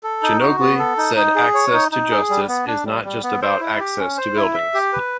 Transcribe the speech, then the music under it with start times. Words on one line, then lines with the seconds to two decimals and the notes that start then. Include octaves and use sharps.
Djanogly said Access to justice is not just about access to buildings.
0.03 A4
0.22 D#4
0.41 F#4
0.60 B3
0.79 A4
0.97 D#4
1.16 D#4
1.35 G#4
1.54 C#5
1.73 D#4
1.92 D#4
2.11 G#4
2.30 G3
2.48 B3
2.67 D4
2.86 G3
3.04 G3
3.23 B3
3.42 C5
3.60 E4
3.80 G4
3.99 C#4
4.17 C5
4.36 E4
4.54 E5
4.74 G4
4.93 B4